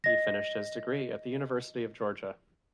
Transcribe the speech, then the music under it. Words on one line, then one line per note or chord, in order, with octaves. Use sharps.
He finished his degree at the University of Georgia.
D#5 A#6